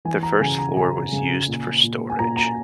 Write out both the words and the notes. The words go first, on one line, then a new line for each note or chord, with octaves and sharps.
The first floor was used for storage.
E3 G#5
A#5
C#3 G#5
A#5
C#3 G#5
C#3
A#2
A#2
G#5
A#2 A#5
A#5